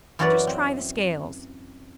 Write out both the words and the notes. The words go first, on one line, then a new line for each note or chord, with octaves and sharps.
Just try the scales.
F#2 E3 C#4 F#4 B4 D5
C4